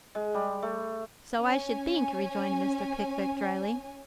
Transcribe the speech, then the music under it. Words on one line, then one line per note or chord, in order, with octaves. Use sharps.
'So I should think,' rejoined Mr. Pickwick drily.
G#3
G3
A3
C#4 G#5